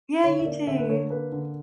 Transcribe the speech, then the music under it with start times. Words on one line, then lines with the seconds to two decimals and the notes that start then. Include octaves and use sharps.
Yeah, you too.
0.24 D3 C#5
0.39 E5
0.46 A#3 D5
0.67 D3 E5
0.78 B4
0.89 D3 C#5
1.10 A#3 B4
1.32 D3